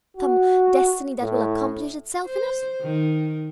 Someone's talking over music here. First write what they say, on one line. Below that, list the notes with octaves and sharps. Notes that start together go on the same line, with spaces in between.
Some Destiny that will accomplish itself in us.
F#4
A2
C5
D#3